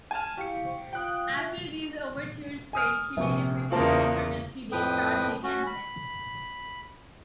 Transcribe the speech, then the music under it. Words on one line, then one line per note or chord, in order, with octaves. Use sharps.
After these overtures failed, she later pursued a more military-based strategy against them.
G#5 A5 F6
E4 G4 F5 C#6 C#7
C5
F4 F5 G5 D#6 F#6
F4 E5
G#5 D#6 F6
A#1 C3 C#6
E2 C#3 A#3 F4 C5 A5
F2 A2 F3 B4 G5 D#6
C#4 F#4
B5